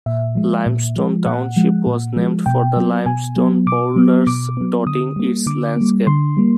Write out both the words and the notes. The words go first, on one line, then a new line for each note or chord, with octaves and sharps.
Limestone Township was named for the limestone boulders dotting its landscape.
A#2 E5
F3 G#3
A#2
F3 G#3
A#2 F#5
F3 G#3
A#2
F3 G#3
B2 G5
F#3 B3
B2 G#5
F#3 B3
B2 D6
F#3 B3
B2 D6
F#3 B3
D3 D#6
G3 A#3
D3 D6
G3 A#3
D3 C6
G3 A#3